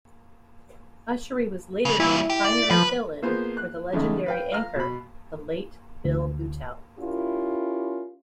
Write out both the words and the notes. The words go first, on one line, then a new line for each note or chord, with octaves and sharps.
Ushery was later named primary fill-in for the legendary anchor, the late Bill Beutel.
C#3 G3
A#2 G3 E4
G4
D5
F3 B4
A#3 B3 F4 G#4 C5
F#6
E2 C#3 G#3 A3 C#4 D#4
B4 F5 G5
F5 A#5 F6
B2 B5
D2
C#4 E4 F4 G4 A#4